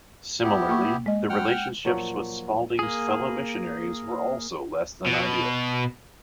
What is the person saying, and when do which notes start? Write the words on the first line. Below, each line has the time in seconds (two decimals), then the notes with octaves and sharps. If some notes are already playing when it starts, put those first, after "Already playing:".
Similarly, the relationships with Spalding's fellow missionaries were also less than ideal.
0.43 B3 E4 G4
0.69 A#3 G5 C#6
1.06 G#3 D#5
1.30 F#5 G5 F6
1.85 A#2 F3 F#3 C#5
2.79 A#3 G#4
5.06 B2